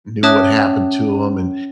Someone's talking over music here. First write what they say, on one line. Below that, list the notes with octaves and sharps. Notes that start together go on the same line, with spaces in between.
knew what happened to him, and,
C#4 C#5 E5 A5 D#6 F#6